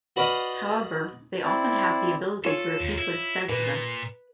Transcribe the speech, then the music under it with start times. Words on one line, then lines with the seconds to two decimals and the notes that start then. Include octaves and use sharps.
However, they often have the ability to repeat what is said to them.
0.16 F#4 B4 D5 D#5 F5 F#5
1.44 C4 E4 D5
2.44 F4 A4 C#5
2.80 D#2
2.98 E4
3.49 A#2 B4